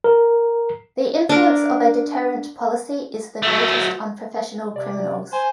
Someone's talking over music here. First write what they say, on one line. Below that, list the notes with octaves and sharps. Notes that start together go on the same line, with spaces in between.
The influence of a deterrent policy is the greatest on professional criminals.
A#4
D4 A#4
F#3 A3
C3 D5
C5 G#5